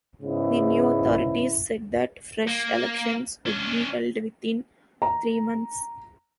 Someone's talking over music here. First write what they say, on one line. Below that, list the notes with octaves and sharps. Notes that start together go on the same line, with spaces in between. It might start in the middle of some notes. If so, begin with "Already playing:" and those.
The new authorities said that fresh elections would be held within three months.
G#2 C#3 B3 E4
A#3
C#4 D4
A#5